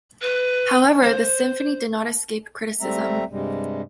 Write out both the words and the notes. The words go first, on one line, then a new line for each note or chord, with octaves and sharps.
However, the symphony did not escape criticism.
B4
C5
G3 A3 C4 E5 A#5
G2 C3 G3 G#3